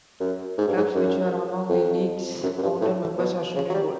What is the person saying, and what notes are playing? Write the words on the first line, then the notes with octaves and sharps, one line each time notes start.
Clubs which were among the league's founder members are shown in bold.
F#2
G#2
G2
G#2
F#2
F2
F#2
F#2
G2
A2
B2
C#3
F#3
G3